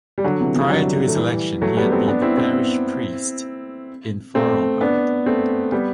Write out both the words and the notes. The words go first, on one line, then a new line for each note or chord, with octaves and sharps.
Prior to his election he had been the parish priest in Vorarlberg.
G3
D3 F#3
C3 E3
C3 E3
G3
D3 F#3
A3
E3 G3
F#3 A3
G3 B3
A3 C4
B3 D4
C4 E4
C4 E4
A3 C4
B3 D4
A3 C4
G3 B3